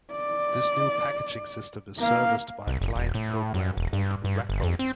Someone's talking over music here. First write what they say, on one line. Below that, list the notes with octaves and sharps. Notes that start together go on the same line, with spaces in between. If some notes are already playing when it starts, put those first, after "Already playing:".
This new packaging system is serviced by a client program called raco.
D5
A#3 F5
C2
F#1
E1
A2
F#2
E1
G2
G2
G1
F2
C4